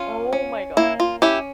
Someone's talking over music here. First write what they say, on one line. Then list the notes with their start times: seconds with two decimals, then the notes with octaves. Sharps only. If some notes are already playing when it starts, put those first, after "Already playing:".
Oh my god.
Already playing: C#4 F4
0.33 C#4
0.77 A#3 E4
1.00 F4
1.22 C#4 E4 G4